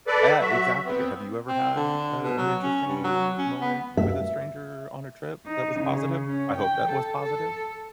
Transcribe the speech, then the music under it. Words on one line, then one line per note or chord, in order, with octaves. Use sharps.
Eh, exactly. Have you ever had, uh, an interesting moment with a stranger on a trip that was positive I hope that was positive?
A4 B4 D5
F#3 F#4 E5
B3 C4
C4
D3
B2
F#3
C#4
G2
F#3
C#4
B3
E5
D#4
C#3
C#4
G5
A4
A4